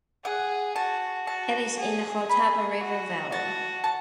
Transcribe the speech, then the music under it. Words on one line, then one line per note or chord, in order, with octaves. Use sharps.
It is in the Hautapu River valley.
G#4 F#5
F#4 A5
F#4 A5
G#4
G#4 B5
F#4
F#4 A5
A5